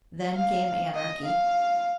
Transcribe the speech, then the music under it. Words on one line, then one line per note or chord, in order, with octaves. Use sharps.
Then came anarchy.
F5
D#5
F5